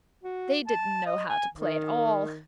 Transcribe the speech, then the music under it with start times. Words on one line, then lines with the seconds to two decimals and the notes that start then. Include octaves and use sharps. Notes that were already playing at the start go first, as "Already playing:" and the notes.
They didn't know how to play at all.
0.23 F#4
0.67 A5
1.06 D#5
1.29 G#5
1.54 D#3